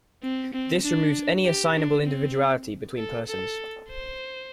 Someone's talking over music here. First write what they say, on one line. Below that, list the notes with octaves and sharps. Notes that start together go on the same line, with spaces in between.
This removes any assignable individuality between persons.
C4
C4
D4
G4
D4
C4
A4
A4
C5